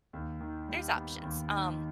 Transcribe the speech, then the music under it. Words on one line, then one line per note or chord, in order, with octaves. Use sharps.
there's options, um,
D#2
D#3
G3
B3
D#2
D#3